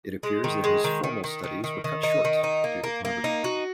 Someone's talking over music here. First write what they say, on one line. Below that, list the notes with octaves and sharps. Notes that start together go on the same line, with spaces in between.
It appears that his formal studies were cut short due to poverty.
G#3
D#3
G#3
D#3
D#3
D#3
D#3
D#3
D#3
D#4
D#3
D#4
A#3
A#3
A#3
D#4
F#4